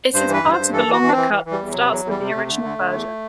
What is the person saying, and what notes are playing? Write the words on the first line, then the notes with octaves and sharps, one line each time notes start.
It is part of a longer cut that starts with the original version.
G2 C5
E3
B4
G2
C5
G2
E3 A4
E3
F#4
E3
D4
E3 C4
E3
E3
G3
E2
C3 F#3
E2 F#3
E2 G3
C3
A3
C3
D3
D3
D3
E2